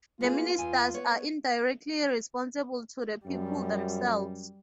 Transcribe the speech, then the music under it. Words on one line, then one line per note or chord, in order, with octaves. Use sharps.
The ministers are indirectly responsible to the people themselves.
A#3 B3 F4 G#4
E2 G#5
B3 C#5
F#2 G3